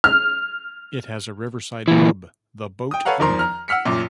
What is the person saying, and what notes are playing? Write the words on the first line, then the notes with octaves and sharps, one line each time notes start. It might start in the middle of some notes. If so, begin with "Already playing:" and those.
It has a riverside pub, the Boat Inn.
F6
A#2 E3
G5 D#6
A4 B4 C#5 F5 F#5 A#5
E2 D#3 F3 A#4 A#5 C6
A#5 F6
F#5 E6 F6 B6 C#7
A1 F#2 A#2